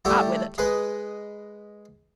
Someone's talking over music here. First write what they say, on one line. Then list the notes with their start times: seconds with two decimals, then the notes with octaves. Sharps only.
Out with it.
0.05 G3 A3 E4 G4
0.58 G#3 G#4 B4 D#5